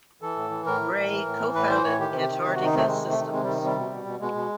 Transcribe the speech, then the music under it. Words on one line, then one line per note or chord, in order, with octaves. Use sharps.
Bray co-founded Antarctica Systems.
E3 A4
A2
E3
A2 A#4
E3
A2
E3
A2
E3
A2 B4
E3 C5
A2 C#5
D#3 G4
C3
G4
D#3
C3 G4
D#3 F#4
D#4
C3 A3
D#3 G#3
C3
A3
D#3
C3 G#3
D#3 G3
C3 G3
B2
B2
B2
B2 G#3
B2